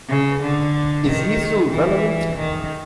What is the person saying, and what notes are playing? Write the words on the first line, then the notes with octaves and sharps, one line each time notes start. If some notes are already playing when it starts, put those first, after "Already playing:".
Is he still relevant?
C#3
D3
D#3
E3
D#3